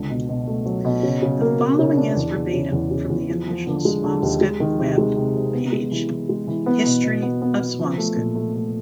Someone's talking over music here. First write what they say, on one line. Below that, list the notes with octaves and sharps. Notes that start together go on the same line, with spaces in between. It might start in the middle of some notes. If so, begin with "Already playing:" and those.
The following is verbatim from the official Swampscott web page: History of Swampscott.
Already playing: C#2 D3
B2
B2
A3
F#3
B2
C#3
C#3
A#3
A#3
C#3
D4
E2
E2
C#3
E2
C#3
E2
F3
F3
D3
G#3
D3
D#2
G#3
D#3
C3
G#3
C3
C3
B3
G#3
E3
E3
G#3
E3
B3
B2
B2
B3
B3
B3
F3
A3
A#2
A3
A3